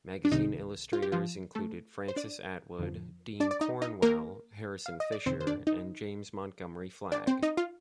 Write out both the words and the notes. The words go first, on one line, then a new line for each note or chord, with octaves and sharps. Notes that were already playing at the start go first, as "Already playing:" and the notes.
Magazine illustrators included Francis Attwood, Dean Cornwell, Harrison Fisher, and James Montgomery Flagg.
D4
C2 C3 D#3 D#4
F4
G4
F3 F4
A3 A4
C5
D4 D5
F2 D3 F3
D4 D5
D5
D#4 D#5
D#4 D#5
A#3 A#4
F5
D#5
D5
F2 C3 D#3 C4 C5
C5
D4 D5
D#4 D#5
D4 D5
C4 C5
D#4 D#5
F4 F5